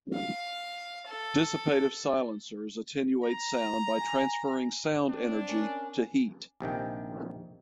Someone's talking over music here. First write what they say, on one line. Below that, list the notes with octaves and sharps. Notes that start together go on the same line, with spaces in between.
Dissipative silencers attenuate sound by transferring sound energy to heat.
F5
A4
A#5
G#5 D6
C4 D4
C#4 A#4
A#1 C3 D#3 G5